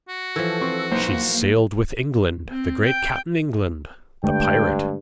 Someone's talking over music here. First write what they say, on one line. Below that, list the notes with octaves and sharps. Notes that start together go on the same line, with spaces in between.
She's sailed with England, the great Cap'n England, the pirate.
F#4
E3 F3 A4
C4 C#6
B1 A#3 C5
C4
G5
G2 D3 G#3 A3 G5